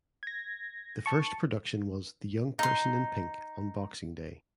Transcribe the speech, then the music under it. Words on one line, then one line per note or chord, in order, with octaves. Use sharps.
The first production was "The Young Person in Pink" on Boxing Day.
G#6 A#6
A5 C#6
D#4 C6